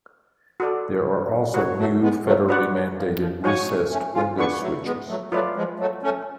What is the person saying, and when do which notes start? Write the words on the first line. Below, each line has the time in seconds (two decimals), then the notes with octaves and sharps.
There are also new, federally mandated recessed window switches.
0.60 F#4 A4 D5
1.54 F#3 F#4 C#5 F#5
1.78 F#3 A3
2.02 G#3 B3
2.25 F#3 A3
2.49 F#4 B4 D5 F#5
2.72 F#3
2.96 F3
3.20 F3
3.43 F3 G#3 F#4 C#5 G#5 C#6
3.67 F#3 A3
3.90 A3 C#4
4.14 C#4 F4
4.37 B3 D4 B4 D5 F#5 C#6
4.61 F#3 A3
4.85 G#3 B3
5.08 F#3 A3
5.32 F#3 A3 F4 B4 D5
5.56 F3 G#3
5.79 F#3 A3
6.03 A3 C#4